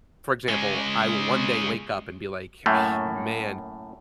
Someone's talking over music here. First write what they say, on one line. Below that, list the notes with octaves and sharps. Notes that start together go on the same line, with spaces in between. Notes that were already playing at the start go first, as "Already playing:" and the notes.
For example, I will one day wake up and be like, "Ah, man,
C#3 G#3
F#2 A2 A3 A#3